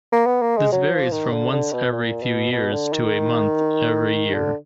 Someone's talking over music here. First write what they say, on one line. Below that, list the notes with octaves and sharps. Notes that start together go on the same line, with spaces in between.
This varies from once every few years to a month every year.
A#3
B3
A#3
G#3
F#3
F3
D#3
D3
D3
B2
A#2
B2
B2
D3
D#3
D3